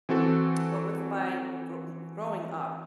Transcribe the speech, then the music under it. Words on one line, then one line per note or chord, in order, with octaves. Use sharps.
Well, with my gro growing up,
E3 C4 F#4 A4